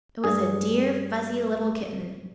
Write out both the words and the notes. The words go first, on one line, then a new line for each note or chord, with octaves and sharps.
It was a dear fuzzy little kitten.
G2 G#4